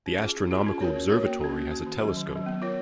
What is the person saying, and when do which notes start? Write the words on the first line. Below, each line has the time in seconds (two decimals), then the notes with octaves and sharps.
The astronomical observatory has a telescope.
0.06 C#4
0.21 F4 G#4
0.36 C#4
0.51 F4 G#4
0.66 C#4
0.81 F#4 A#4 C#5
0.96 C#4
1.11 F#4 A#4 C#5
1.26 A#3
1.41 C#4 F#4
1.57 A#3
1.71 C#4 F#4
1.87 D#3
2.01 F#3 C#4
2.17 D#3
2.31 F#3 C#4
2.46 B3
2.62 F4 A#4 C#5